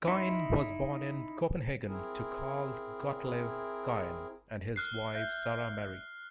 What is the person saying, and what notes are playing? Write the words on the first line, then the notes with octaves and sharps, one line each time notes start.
Kyhn was born in Copenhagen to Carl Gottlieb Kyhn and his wife Sara Marie.
D#4 E4 E5 C6
C4 E4 G#4 A#4
F6 F#6 C7
E5 G6